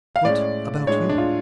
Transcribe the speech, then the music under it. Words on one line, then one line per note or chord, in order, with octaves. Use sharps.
What about you?
F5
A2 G#3 C#4 D5
A2 G#3 D4 C#5
D4
F4